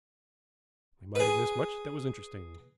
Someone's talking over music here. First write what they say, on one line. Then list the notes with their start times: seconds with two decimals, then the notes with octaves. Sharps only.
We might have missed much that was interesting.
1.15 G#4 B4